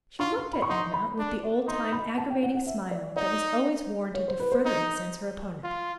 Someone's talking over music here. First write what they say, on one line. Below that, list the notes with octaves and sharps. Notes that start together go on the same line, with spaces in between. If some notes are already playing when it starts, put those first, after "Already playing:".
She looked at Edna with the old-time aggravating smile that was always warranted to further incense her opponent.
F4 C#6
C6
B5
C#6
D#4 C6
B5
D4
D#4 C6
B5
A5
G5
F#5
F#5
E5
D5
D#4 D5
C#5
C5
B4
C5
D#4
F4